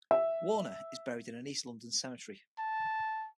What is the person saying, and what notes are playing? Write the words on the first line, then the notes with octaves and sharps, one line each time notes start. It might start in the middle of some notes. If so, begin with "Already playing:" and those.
Warner is buried in East London Cemetery.
E5
A5